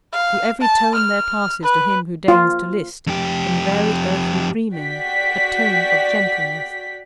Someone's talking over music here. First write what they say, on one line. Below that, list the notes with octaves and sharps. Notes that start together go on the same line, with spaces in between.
"Through every tone there passes, To him who deigns to list, In varied earthly dreaming, A tone of gentleness."
F5
A5
F6
B4
F4
F2 G4
F#4 D5 G5 B6